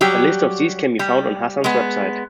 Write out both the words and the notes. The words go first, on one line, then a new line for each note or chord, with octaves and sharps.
A list of these can be found on Hassan's website.
F#3 G3 G4
G3
G#3 B3